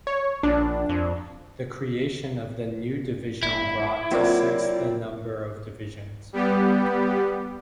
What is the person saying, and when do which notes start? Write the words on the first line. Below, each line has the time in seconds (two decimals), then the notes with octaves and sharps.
The creation of the new division brought to six the number of divisions.
0.07 C#5
0.43 A#1 D4
0.89 F2
3.43 G1 E4
4.12 F#3 A#3 C4 F4 D5
6.33 G3 B3 G4